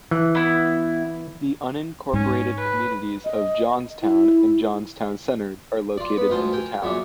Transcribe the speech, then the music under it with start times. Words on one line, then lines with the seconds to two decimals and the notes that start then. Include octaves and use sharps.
The unincorporated communities of Johnstown and Johnstown Center are located in the town.
0.11 E3 F#6
0.35 B3 E4
2.13 G#2 C#4
2.57 B4
3.25 D#5
4.02 E4
5.97 F4 D5
6.17 B3
6.30 D2 F4 C5 G#5 A5
6.53 A#4 G5 G#5
6.82 F#2 A#2 C#3 D4